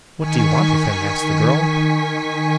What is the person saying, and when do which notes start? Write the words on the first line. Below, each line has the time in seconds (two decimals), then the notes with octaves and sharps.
"What do you want of him?" asked the girl.
0.17 D#3 G#5 C#6 B6